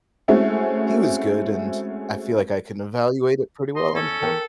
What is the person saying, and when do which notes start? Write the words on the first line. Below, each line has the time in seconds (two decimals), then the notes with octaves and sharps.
he was good, and I feel like I can evaluate it pretty well on some
0.28 G#3 A3 C4 C#4 E4 F#4
3.76 D#5 C6
3.95 E2 C#4 A4
4.23 A#4 G5 A5